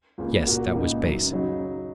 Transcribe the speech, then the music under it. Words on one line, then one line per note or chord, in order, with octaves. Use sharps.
Yes, that was base.
C#2 C#3 A#3
A#2 A#3 F#4 A#4
C#2 C#3 A#3 D#4
F#2 D#3 F#3
C#3 F#3 D#4